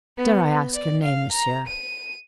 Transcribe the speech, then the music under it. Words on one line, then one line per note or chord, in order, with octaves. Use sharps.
Dare I ask your name, monsieur?'
B3
D5
F5
A#5
D#7